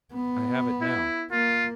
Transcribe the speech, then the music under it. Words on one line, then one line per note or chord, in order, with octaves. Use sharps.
I have it now.
B3
E4
A#3 F4